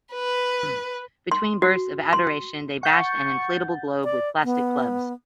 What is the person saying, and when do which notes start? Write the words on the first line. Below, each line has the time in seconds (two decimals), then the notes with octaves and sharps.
Between bursts of adoration, they bashed an inflatable globe with plastic clubs.
0.13 B4
1.32 C6
1.62 F#4
2.13 C6
2.83 F#5 C#6 G6 A6
4.04 D5
4.44 B3